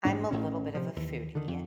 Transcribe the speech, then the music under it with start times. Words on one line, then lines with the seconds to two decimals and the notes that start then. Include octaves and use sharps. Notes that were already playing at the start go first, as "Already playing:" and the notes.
I'm a little bit of a foodie,
0.05 A1 G#2 D4
0.31 A1 A2 C#4
0.75 C3 F3
0.96 D#2 E3
1.35 D3 D#3
1.48 F2